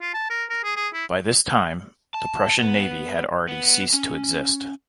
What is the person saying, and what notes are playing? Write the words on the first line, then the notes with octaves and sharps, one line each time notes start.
By this time, the Prussian Navy had already ceased to exist.
F4
A5
A#4
A#4
G#4
G#4
E4
A5
B3
B3
C#4